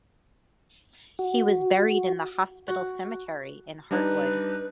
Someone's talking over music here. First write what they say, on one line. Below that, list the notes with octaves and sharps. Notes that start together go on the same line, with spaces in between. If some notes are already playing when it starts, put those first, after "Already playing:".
He was buried in the hospital cemetery in Hartwood.
F#4
F#4
G3 D4 D#4 B4